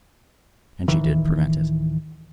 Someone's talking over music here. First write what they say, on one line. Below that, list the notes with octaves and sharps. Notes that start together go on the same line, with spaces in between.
And she did prevent it.
D1 D#3 E3